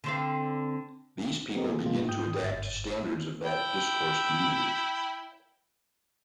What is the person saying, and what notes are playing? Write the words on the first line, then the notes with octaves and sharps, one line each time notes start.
These people begin to adapt to standards of that discourse community.
D3 C4 F5
A3 B3 C4 G4 A#4 D#5
C3 A#3 G#4
B2 G#3 A#3 F4
G#2 G5 D#6 G6
G1 G#2 A6
E4 G5